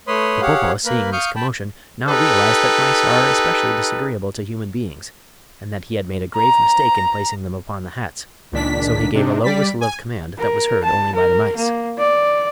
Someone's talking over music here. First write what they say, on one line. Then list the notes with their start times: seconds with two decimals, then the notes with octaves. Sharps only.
Popopo, seeing this commotion, now realized that mice are especially disagreeable to human beings, and that he had made a grave mistake in placing them upon the hats; so he gave a low whistle of command that was heard only by the mice.
0.07 A3 B4 C#5 B5 C6 D#6
0.42 G4 G#4 C#5 F5 F#5
0.85 A#3 A#4 B4 B5
1.12 F5 C#6 D#6 F6 G6
1.36 G5 A5 B5
2.08 D#4 G4 A4 B4
6.36 A#5
8.52 C#2 A#2 D#3 D4 B6
9.13 C3 D4 D#4
9.44 G3 D5 B6
9.81 G#5
10.38 A#4
10.84 A5
11.15 A#4
11.56 A#3
11.98 D5